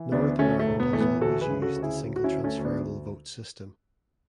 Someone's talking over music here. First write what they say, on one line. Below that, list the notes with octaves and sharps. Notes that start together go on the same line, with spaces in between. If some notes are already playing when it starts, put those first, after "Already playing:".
Northern Ireland has always used the single transferable vote system.
Already playing: E3
D2 B3 D4
D2 A3 C#4
A3
E1
B3
E3 A3
B3
D2 F#4 A4
G#4 B4
C#3
F#4 A4
D2
E4 G#4
F#3
F#4
C#4 E4
D2
A3 C#4
D2
B3 D4